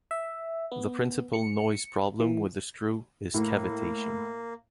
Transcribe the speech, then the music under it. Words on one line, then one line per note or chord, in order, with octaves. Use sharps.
The principal noise problem with a screw is cavitation.
E5
B3
C#7
E3
A2 A#3